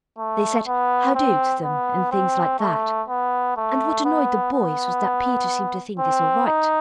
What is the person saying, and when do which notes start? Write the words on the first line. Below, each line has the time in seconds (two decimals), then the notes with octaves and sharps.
They said 'How-do?' to them, and things like that; and what annoyed the boys was that Peter seemed to think this all right.
0.18 A3
0.67 B3
1.15 C4
1.64 B3
2.12 C4
2.60 A3
3.08 B3
3.57 A3
4.05 B3
4.53 B3
5.99 C4
6.47 D#4